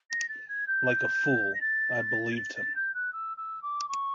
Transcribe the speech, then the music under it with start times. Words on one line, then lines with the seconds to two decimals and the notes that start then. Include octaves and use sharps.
Like a fool, I believed him.
0.10 A#6
0.29 A6
0.48 G#6
0.67 G6
1.54 A#6
1.61 A6
2.32 G#6
2.36 A6
2.56 A6
2.75 G6
2.94 F#6
3.13 E6
3.37 E6
3.62 D6
3.88 C#6